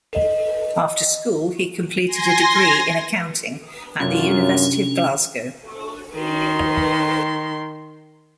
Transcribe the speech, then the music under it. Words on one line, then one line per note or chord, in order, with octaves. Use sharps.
After school, he completed a degree in accounting at the University of Glasgow.
D#5
G#5 C6 A#6
F#2 C3 F#3 C#4 D4 F4
D#3 C6